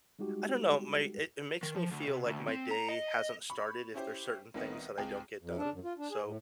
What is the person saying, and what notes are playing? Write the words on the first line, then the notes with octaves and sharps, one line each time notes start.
I don't know. My it it makes me feel like my day hasn't started if there's certain things that I don't get done. So,
G3 G#3 D#4 F#4 G4
D#3
F3
D2
C3
D2
C4
A#5
D#5
B5 C#6
C#4 E4 G4 C5
C2 D#3 B3 C4 D#5
C#2 C4 G#4 G5
F2
D4
F#2
F4
D4
G#4
A2